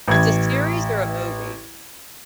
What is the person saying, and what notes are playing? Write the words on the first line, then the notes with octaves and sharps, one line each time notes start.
It's a series or a movie?
A1 G#6